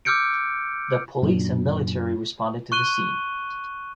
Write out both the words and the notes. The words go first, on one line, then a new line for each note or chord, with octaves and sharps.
The police and military responded to the scene.
D6 E6 F6 G6 C#7 D7
F#2 A#2 F#3 D4
C#6 F#6 D#7 G7